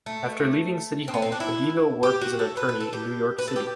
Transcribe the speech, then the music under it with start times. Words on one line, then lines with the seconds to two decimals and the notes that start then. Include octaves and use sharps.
After leaving City Hall, Badillo worked as an attorney in New York City.
0.06 A3
1.08 C4
1.14 B3
1.22 C4
1.32 D4
1.40 E4
2.03 G4
2.21 F#4
2.39 A4
2.57 B4
2.69 B4
2.80 A4
2.93 G4
3.38 B4
3.48 A4
3.56 G4